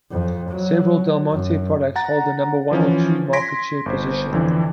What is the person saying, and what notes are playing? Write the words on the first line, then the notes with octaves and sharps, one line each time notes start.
Several Del Monte products hold the number one or two market share position.
F2
F#3
F#2
F#5 A#5 A6
E3 F3 C#4
C6 G#6 A#6 B6 D7
G1 C5
F2 D3 E3